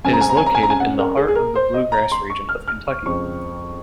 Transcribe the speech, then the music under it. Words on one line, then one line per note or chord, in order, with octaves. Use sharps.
It is located in the heart of the Bluegrass region of Kentucky.
F#2 C#3 G#3 C4 G#5
A#5
G#5
A#5
G#5
A#5
G#5
A#5
G#5
F#5
A#4
G#4
G#4
A#4
C5
D#5
A#5
C6
C#6
F6
F6
C#6
F2 C#3 G#3 C4 C#6